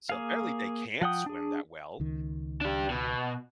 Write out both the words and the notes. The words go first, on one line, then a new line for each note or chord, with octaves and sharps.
So apparently, they can't swim that well,
A#3 G#4 F5
F3 F#5 G5 D#6
D4 G#4
C#2 D#3
D4 G4
B2